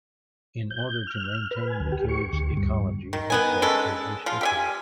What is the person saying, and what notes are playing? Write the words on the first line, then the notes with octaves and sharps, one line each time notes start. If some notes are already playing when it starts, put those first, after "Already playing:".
In order to maintain the cave's ecology, access is restricted.
G6
F6
F6
B4
G#5
D2
G4
C#6
D2
G2
D#3
D#3 B3 G#5
G#3 C#4 A4
F3 F4
G4 E5 G#5